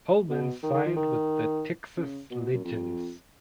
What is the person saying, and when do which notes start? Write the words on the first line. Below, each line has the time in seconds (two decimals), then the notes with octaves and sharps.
Holman signed with the Texas Legends.
0.29 B2
0.63 D#3
0.74 D#3
0.86 F3
0.96 D#3
1.97 C#3
2.31 B2
2.53 F#2
2.64 F2